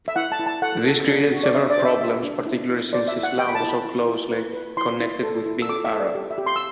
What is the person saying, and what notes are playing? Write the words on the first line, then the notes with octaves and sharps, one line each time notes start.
This created several problems, particularly since Islam was so closely connected with being Arab.
E5
E4 F#5
A5
E4
A5
A4 F#5
A4
D4
F#4
D5
D4 E5
D5
C5
E5
G4 E5
D4
E4
E4
C5 D5
E5
E4
F#5
G4 G5
B5
A5
E4
B5
E4
E4
B4
B4
E4 C6
E4
A4
E4
E6
A4 D6
E5
A4
D5
G4
E5
G4
C6
E6